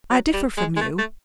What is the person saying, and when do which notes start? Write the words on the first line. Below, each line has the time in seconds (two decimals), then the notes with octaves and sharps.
I differ from you.
0.10 F#3
0.34 G3
0.57 G#3
0.76 G#3
0.81 A3
0.98 A3